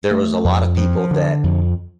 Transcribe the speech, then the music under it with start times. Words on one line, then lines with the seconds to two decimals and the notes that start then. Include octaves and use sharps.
there was a lot of people that
0.11 A3
0.44 F2
0.77 F3
1.11 D3
1.44 F2